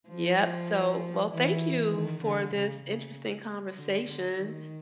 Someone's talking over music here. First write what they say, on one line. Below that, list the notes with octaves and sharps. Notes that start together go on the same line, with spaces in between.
Yup, so well, thank you for this interesting conversation
F3
E3
D#3
D3
C#3
C#3
D3
D3
D#3